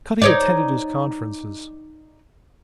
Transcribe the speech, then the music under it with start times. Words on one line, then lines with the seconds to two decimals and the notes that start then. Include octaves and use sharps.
Cutty attended his conferences.
0.22 D#4 C#5 D5